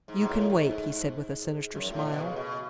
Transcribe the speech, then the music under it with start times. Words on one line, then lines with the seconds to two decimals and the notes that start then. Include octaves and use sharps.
"You can wait," he said with a sinister smile.
0.08 G#2
0.21 B2
0.29 A2
0.50 G#2
1.75 F#2
1.90 A2
2.05 B2
2.20 C#3
2.36 B2